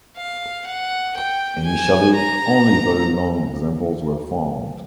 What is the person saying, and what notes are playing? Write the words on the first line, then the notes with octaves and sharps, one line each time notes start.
Initially, only very long examples were found.
F5
F#5
G5
G#5
A#5